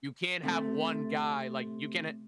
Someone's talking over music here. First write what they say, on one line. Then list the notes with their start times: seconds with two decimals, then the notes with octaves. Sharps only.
You can't have one guy, like, you can ha
0.43 C3 A3